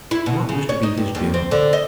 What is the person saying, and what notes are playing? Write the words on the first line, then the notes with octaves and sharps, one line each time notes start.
What was to be his doom?
E4
B2
C#3
C#5
D#4
G2
D#2
C4
D3
D#5